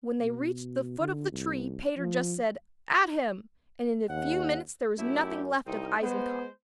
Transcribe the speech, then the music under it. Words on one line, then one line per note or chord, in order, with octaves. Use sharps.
When they reached the foot of the tree Peter just said: 'At him!' And in a few minutes there was nothing left of Eisenkopf.
B2
D3
C2
F3
D#2 F#5
F#2 A3 E4 G4
C2 C4 D#4
G#3 B3 C5